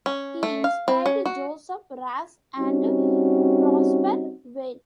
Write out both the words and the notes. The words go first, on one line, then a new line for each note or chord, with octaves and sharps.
He inspired Joseph Raz and Prosper Weil.
C#4
A3
F5
C4
C#4
F#4
G3 C4 C#4 D#4 F#4